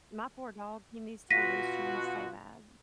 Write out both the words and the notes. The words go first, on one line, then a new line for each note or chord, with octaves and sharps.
My poor dog, he needs to be leash trained so bad.
B2 F4 F#4 A#6 B6 D#7